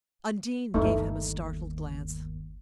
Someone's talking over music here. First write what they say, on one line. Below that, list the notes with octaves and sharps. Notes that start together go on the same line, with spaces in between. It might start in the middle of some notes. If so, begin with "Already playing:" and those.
Undine gave him a startled glance.
G1 D#2 A3 D#4